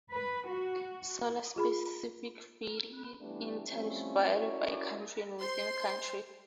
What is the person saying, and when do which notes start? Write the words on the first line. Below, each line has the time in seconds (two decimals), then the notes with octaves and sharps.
Solar-specific feed-in tariffs vary by country and within countries.
0.12 B4
0.48 F#4
1.56 F4 G#4 B5
3.21 E3 G3 A3 B3 D4
3.67 F3 G3 A3 C4 C#4 E4
4.32 C#4 E4 F#4 A#4 C#5 D5
5.41 C5 C6